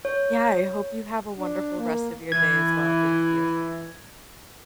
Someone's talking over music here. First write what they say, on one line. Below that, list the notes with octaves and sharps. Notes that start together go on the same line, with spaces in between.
Yeah, I hope you have a wonderful rest of your day as well thank you.
C#5
D4
A#3
E3 G#6